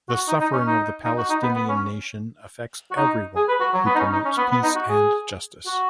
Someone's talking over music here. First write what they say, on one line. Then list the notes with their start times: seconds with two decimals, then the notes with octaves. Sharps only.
The suffering of the Palestinian nation affects everyone, who promotes peace and justice.
0.09 F#4
0.28 D#4
0.41 D#4
0.53 C#4
0.67 D#4
1.05 D#4
1.18 F#4
1.30 D#4
1.43 B3
1.56 B3
1.69 C#4
2.91 F#4
2.97 D#4
3.36 G#4
3.48 B4
3.60 F#4
3.74 F#3
3.86 B3
3.95 D#4
4.00 C#4
4.12 D#4
4.25 C#4
4.37 B3
4.51 B3
4.63 D#4
4.76 F#4
4.90 G#4
5.66 F#4